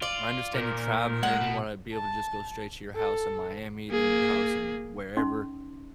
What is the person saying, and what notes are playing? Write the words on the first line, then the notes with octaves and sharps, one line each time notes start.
I understand you traveling. You wanna be able to just go straight to your house in Miami, then your house in wherever,
F4 D5
A#2 D#3 F3 A#4
G#3 F#5
B2
A5
A4
A#3 G#4
C#4 D#4 C6